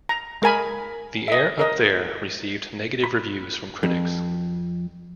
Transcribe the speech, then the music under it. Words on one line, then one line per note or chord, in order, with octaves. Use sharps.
"The Air Up There" received negative reviews from critics.
A#5
G#3 A#4 G#5 B5
D#5 E5
A#4 D#5
B5
F2